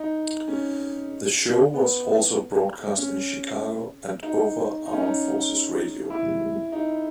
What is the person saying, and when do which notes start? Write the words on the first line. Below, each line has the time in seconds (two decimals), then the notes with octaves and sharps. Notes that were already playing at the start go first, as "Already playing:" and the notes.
The show was also broadcast in Chicago and over Armed Forces Radio.
Already playing: D#4
0.48 C#4
1.74 B3
2.98 C#4
4.23 D#4
4.86 D#4
4.93 C#4
5.01 D#4
6.10 E4
6.72 D#4